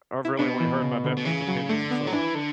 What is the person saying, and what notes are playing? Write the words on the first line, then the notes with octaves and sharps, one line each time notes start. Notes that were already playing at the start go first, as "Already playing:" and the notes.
I I've really only heard my nephew's opinion, so
E4
B2 D4
E3
C#3
D3
B2
C#3 E3
F#3
D3 A3
B3
F#3
E3 D4
D3